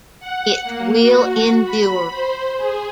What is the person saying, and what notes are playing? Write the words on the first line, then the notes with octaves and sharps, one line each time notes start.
It Will Endure.
F#5
A#3
F#4
B5
C5
G#4